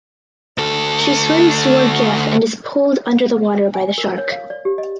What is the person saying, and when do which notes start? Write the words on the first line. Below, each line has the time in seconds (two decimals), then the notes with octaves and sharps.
She swims towards Jeff and is pulled under the water by the shark.
0.58 D2 A4
3.74 G#5
3.98 A#4
4.18 C#5
4.32 F5
4.50 D5
4.65 G4
4.78 D#5